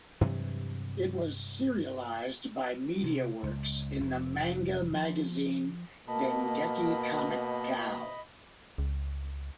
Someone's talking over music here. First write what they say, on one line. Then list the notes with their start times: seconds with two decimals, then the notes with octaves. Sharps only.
It was serialized by MediaWorks in the manga magazine Dengeki Comic Gao!
0.21 G2 C3 E3 F#3
3.04 C3
3.43 C#2
4.00 F1
4.95 F3
6.08 B2 A#3 A#4 D#5 A5 B5
8.78 C#2